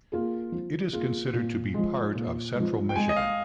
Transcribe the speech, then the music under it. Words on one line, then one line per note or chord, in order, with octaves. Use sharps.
It is considered to be part of Central Michigan.
A#3 F4 G#4
F3
A#3 F4 G#4
A#2
F3 G#3
A#2
G#3
F3
G5
G#3 G#5
D#5
F5